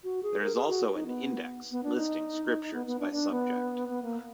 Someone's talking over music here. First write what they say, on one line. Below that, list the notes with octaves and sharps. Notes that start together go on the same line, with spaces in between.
There is also an index listing scriptures by subject.
F#4
G#4
A#4
G#4
F#4
D#4
B3
B3
D4
D#4
B3
B3
D4
D4
B3
B3
A#3